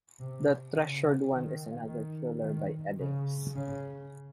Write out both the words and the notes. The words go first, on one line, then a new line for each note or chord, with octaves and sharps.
The Treasured One is another thriller by Eddings.
C3
C#3
D#3
D#3
D#3
C#3
C#3